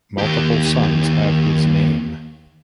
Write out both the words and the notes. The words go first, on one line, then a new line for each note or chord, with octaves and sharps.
Multiple sons have his name.
D#2 G4